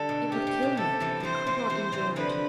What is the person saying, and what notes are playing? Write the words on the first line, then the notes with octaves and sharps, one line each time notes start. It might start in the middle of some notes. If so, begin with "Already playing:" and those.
It would kill me; I could not endure it.
Already playing: D3 G3 A4
B2
C3 G4
C3
B2
C3 A4
C3 E3
C3 E3 F3 C5
C3 E3
C3 E3
C3 E3
D3 F3 B4